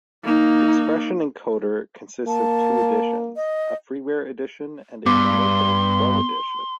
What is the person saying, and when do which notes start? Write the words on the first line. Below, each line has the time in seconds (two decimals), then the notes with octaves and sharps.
Expression Encoder consists of two editions: A freeware edition and a commercial Pro edition.
0.24 A#3 D#4
2.28 A#3 A5
3.36 D#5
5.06 G2 B3 C6 D6